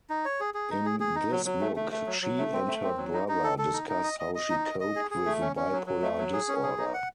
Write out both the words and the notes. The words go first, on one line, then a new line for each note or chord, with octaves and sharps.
In this book she and her brother discuss how she coped with bipolar disorder.
D#4
C#5
G#4
G#4
D#4
G#4
G#4
D#4
F#3
F#3
A3
A3
A3
F#3
F#3
A3
C4
A3
C4
F#3
D#4
D#4
A4
A4
D#4
D#4
D#5
D#5
D#5
D#4
D#5
D#5
G#4
G#4
A3
C#4
C#4
F#3
F#3
A3
F#3
G#4
C#4
G#4
D#4
F#5